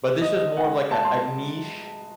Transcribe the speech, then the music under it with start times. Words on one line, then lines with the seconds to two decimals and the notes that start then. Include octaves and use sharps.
but this was more of, like, a a niche
0.21 D#5
0.57 F#5
0.91 A5
1.05 C6